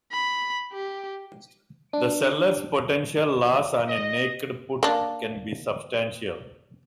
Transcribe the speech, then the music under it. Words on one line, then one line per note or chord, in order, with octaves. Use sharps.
The seller's potential loss on a naked put can be substantial.
B5
G4
D4
D#5
A#3 D4